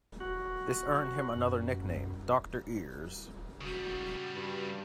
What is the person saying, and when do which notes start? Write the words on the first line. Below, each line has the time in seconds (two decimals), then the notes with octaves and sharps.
This earned him another nickname, Doctor Ears.
0.20 F#4
1.36 F#2
3.61 C#3 G3 F#4
4.35 G2